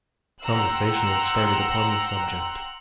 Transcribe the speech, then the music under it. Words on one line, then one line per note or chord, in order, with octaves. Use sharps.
Conversation was started upon this subject.
F#5 G5 A#5 C6 E6 F#6